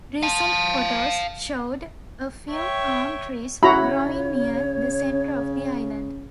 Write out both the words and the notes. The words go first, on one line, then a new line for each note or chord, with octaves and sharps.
Recent photos showed a few palm trees growing near the center of the island.
F5 A5
C#5 E5 G5
C#3 E4 F#4 C#5 A#5 B5